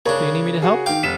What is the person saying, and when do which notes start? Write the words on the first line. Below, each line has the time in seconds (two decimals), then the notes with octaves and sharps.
Do you need me to help?
0.06 C#3 D4 A#4 C#5
0.62 F#4 G#4
0.86 D#3 F5 G5 D6
1.03 F1 B6 E7